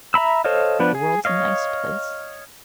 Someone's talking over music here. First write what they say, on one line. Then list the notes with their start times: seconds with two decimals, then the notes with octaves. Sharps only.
The world's a nice place.
0.14 E5 A#5 B5 E6
0.44 A4 C5 C#5 D#5 F5
0.79 F3 B3 D4 B4
0.95 G#4
1.25 C#5 D#5 F5